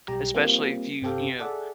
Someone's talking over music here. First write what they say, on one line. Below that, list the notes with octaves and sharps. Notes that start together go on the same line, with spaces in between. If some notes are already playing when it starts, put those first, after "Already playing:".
Especially if you, you know
B1 G3 G4 A#5
G3 A#3 C4 F4
G1 C3 C4 G4 A4 F5
G#4 A4 D5 E5 F#5